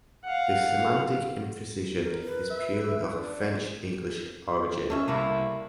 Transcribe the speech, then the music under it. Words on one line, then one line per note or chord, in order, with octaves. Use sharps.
This semantic imprecision is purely of French-English origin.
F5 F#5
A#4
B4
E5
D4
A3 C#4 E5
C2 C3 A3 A#3 E4